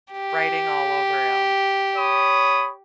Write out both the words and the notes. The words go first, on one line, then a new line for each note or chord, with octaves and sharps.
writing all over 'em.
G4
C#5 B5 D#6